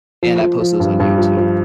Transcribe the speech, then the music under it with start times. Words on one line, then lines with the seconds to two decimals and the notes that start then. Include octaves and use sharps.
and I post those on YouTube,
0.23 F3
0.41 F3
0.60 F3
0.80 G2
1.00 G2
1.18 F3
1.37 F3